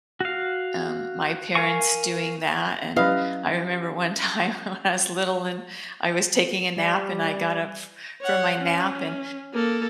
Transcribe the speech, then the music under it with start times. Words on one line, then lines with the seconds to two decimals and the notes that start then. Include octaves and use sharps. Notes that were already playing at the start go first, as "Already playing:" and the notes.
um, my parents doing that, and I remember one time when I was little, and I was taking a nap and I got up f from my nap, and,
0.20 F#4 F5
1.55 A#4 F5 G#5 C#6
2.96 F#3 C#4 E4 G4 B4 D#5 F5
6.77 G3
8.22 C#5 F#5
8.58 C#4
9.54 A#3 A4